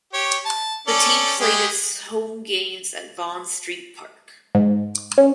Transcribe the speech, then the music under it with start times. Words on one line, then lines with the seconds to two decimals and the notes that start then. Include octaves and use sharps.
The team played its home games at Vaughn Street Park.
0.13 G4 C#5
0.45 A5
0.88 C#4 A4 D5
1.40 G#3 G4 G#4
4.55 G#2
5.18 C#4